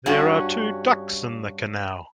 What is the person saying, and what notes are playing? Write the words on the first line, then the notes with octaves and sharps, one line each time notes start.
There are two ducks in the canal.
G2 C#4 F#4